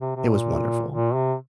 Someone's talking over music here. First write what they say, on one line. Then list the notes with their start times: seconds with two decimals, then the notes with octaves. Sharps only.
it was wonderful.
0.01 C3
0.16 C3
0.32 A#2
0.92 A#2
1.14 C3